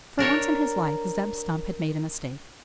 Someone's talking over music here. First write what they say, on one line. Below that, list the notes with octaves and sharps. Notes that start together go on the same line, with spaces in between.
For once in his life, Zeb Stump had made a mistake.
D4 A#4 C#5